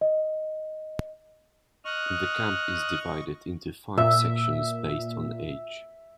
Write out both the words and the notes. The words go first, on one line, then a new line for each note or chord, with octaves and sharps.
The camp is divided into five sections based on age.
D#5
D#5 C#6 D#6 F6 F#6
A#2 E5